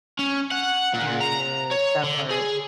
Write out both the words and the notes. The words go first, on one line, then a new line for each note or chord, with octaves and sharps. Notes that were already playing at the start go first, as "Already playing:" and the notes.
Period, that part.
C#4
F#5
A#2
A#5
C#5
D3
G#4